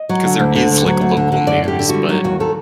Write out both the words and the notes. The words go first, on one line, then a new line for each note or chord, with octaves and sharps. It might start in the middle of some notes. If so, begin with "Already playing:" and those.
'cause there is, like, local news, but
Already playing: D#5
F#3
D3
D2
D3
D2
F#3
D2
D3
D3
F#2 D5
D3 G4
D3
G3 F#4
F#3 D#4
D#2 F#4
D#3 A4